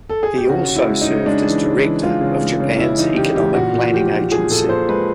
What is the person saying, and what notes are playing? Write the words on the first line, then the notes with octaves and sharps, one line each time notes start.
He also served as director of Japan's Economic Planning Agency.
A4
G#4
G4
C#3 F#4
C#3
E4
G#3
D#4
C#3
G#3 D4
E3
C#3
E3
G#3 F4
C#3
G#3
C#3
C#3 E4
E3 D#4
C#3 G4
E3 G4
A#2 F#4
A#2
F3 G4
F3
F3 G#4
A#2 A4
A#2 C5
G#3 B4